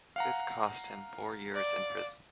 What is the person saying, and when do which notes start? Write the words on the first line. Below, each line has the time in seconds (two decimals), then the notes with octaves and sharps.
This cost him four years in prison.
0.16 F5 F#5 A#5
1.55 D5